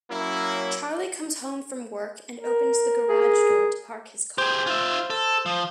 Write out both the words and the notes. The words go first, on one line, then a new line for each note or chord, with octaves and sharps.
Charlie comes home from work and opens the garage door to park his car.
F#3 A#3 C#4 E4
A#4
G#4
G4 G#4 C5
F4 E5
A4
F3